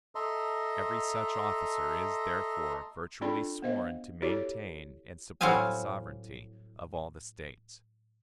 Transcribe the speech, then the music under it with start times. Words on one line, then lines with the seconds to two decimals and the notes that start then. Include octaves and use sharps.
Every such officer is, therefore, virtually sworn to maintain and support the sovereignty of all the States.
0.15 A4 D#5 E5 A#5 C6
3.21 C4 D4 F4 A4 D5 B5
3.62 B3 C4 C5 D#5 F5
4.22 E4 F#4 G4 A4 C#5 D5
5.41 A2 F#3 G3 C4 F5 G#5